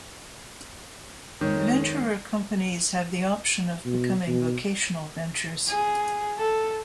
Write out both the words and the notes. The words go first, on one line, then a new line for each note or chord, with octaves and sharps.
Venturer companies have the option of becoming vocational ventures.
F2 D#3 G#3 C#5
B2
B2
G#4
A4